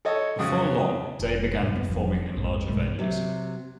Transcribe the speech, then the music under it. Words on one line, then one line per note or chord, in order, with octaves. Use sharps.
Before long, Day began performing in larger venues.
A4 C#5 D#5
F2 C#3 F#4 D#6
F1
E1 G#2
F2 A#3 B3
F1 F2 C3 F3
A#1 F2 G#2
B1 G2 G#3 A3
C3 F#3